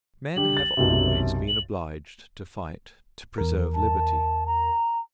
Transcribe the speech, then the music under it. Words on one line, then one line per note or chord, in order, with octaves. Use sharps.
Men have always been obliged to fight to preserve liberty.
D3 G3 G4 F#7
A6
B1 F#2 C3
F#7
E2 A#4
A5
A#5